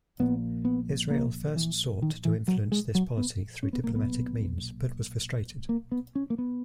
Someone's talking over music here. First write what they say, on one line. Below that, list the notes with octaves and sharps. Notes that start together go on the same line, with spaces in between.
Israel first sought to influence this policy through diplomatic means but was frustrated.
A#1 A#2 B3
B3
A#3
E3
D#3
E3
F#3
G#3
F#3
B3
C#4
B3
B1 A#2 A#3
B3
A#3
B3
C#4
A#3
B3